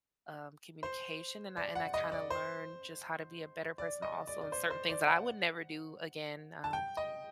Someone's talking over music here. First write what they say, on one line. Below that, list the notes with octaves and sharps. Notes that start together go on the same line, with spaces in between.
um, communication, and I and I kinda learned just how to be a better person also, and certain things that I would never do again, um,
C5
D5
F#5
D#5
D5
C5
D5
D#5
D5
D5
C5
C5
D5
F#5
A5
G5
D#5